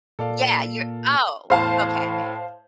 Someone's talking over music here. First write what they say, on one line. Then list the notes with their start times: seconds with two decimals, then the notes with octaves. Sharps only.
yeah you're oh, okay.
0.19 A#2 A4 D5 F5
1.50 E2 A2 C5 F5 A5